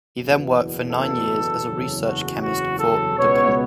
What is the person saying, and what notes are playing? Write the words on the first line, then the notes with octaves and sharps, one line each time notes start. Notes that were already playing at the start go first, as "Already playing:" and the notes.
He then worked for nine years as a research chemist for DuPont.
F#1 E2 B2
A4
F#1 E2 C#3 F#3
F#4
F#4
A4
C#2 B2 B3 C#5